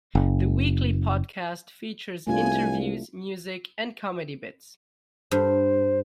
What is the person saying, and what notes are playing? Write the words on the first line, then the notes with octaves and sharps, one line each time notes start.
The weekly podcast features interviews, music and comedy bits.
F#1
C2 A3 D4 F4 G#5
G2 C5